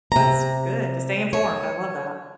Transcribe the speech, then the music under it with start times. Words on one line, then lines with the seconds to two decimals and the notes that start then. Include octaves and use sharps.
That's good, to stay informed, I love that.
0.12 C3 A#5
1.33 C#5